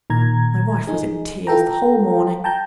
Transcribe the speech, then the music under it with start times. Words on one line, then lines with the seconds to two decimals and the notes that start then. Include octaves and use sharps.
My wife was in tears the whole morning.
0.10 A#2 D#3 A#5 G#6
0.87 D#4 G#4
1.47 F4 A4 G5 A#5
2.44 G5 A5 A#5 G6